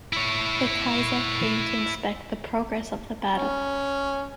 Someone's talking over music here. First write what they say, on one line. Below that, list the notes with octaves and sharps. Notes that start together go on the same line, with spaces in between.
The Kaiser came to inspect the progress of the battle.
E4 C#5
C#4